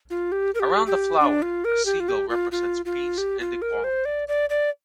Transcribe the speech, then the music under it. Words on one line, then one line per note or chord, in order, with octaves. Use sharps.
Around the flower, a seagull represents peace and equality.
F4
G4
A#4
G4
G4
D4
F4
A#4
G4
F4
G4
F4
F4
F4
G4
F4
A#4
C5
D5
D5
D5